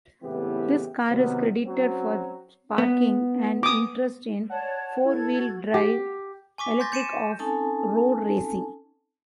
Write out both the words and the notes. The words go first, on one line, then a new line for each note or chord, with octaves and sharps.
This car is credited for sparking an interest in four-wheel-drive electric off-road racing.
C#2 A2 E3 B3 C4 G4
C3 D#3 F#3 B3
F#3 C4 C#4 F#4
B3
D6 D#6
C#5 D5 F#5 A5
E4 A4 G#6
F#4
G4
G#5 C#6 D6 B6
C6 C#6 G6 A6 A#6
G6 C#7 D#7 E7
C4 C#4 D#4 A4 G#5 A5